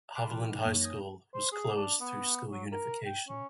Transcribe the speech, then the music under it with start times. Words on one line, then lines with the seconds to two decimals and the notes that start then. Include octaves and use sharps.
Haviland High School was closed through school unification.
0.15 A5 B5 C6 D6 F6 F#6
0.31 E3
0.50 D#4
0.63 F#2 A#3 C#5 G#5
0.81 D#6 G6 G#6 A#6
1.34 C5
1.52 G#4
1.76 D4
2.01 B3
2.51 F#3
2.72 A#4
3.06 G5
3.28 C#4